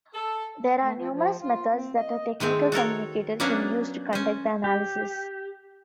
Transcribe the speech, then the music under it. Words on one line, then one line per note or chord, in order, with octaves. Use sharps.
There are numerous methods that a technical communicator can use to conduct the analysis.
A4
A3
F3
F3
F4
C4
D#5
D#3 G#3 A3 C4
F#4 A4 A#4 C#5
F#3 A#3 B3 C#4 D4 F#4
C#4 C5
G4